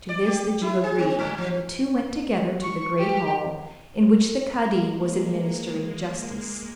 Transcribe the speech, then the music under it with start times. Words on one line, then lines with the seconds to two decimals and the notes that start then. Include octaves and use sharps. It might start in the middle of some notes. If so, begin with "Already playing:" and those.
To this the Jew agreed, and the two went together to the great hall, in which the kadi was administering justice.
0.09 D5
0.26 G4
0.62 E4
0.84 G#4
0.98 C4
1.19 A2
1.38 F3
2.62 C#6
2.98 G4
4.66 G#3 A#3